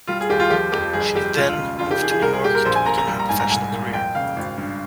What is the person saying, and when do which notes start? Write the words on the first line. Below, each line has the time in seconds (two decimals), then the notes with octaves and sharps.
She then moved to New York to begin her professional career.
0.07 G3 F4
0.21 G#4
0.29 D#2 G4
0.40 F4
0.50 F3 G4
0.72 F2 G4
0.93 G1 G#4
1.15 F2 G4
1.37 C#2 F4
1.58 C#3
1.79 F2 F4
1.91 G4
2.01 D#3 G#4
2.11 G#4
2.22 C2 A#4
2.33 G#4
2.43 A#2 G4
2.55 A#4
2.65 A#1 C5
2.75 G#5
2.86 A#2 A#5
2.98 A#5
3.07 G3
3.19 A#5
3.29 G#2 G#5
3.40 A#5
3.51 C2 G#5
3.72 A#2
3.93 F2 G5
4.15 C#3 F5
4.36 G#1
4.57 G2